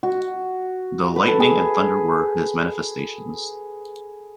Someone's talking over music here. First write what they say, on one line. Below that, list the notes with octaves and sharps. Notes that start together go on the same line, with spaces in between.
The lightning and thunder were his manifestations.
F#4
B4
A4
G#4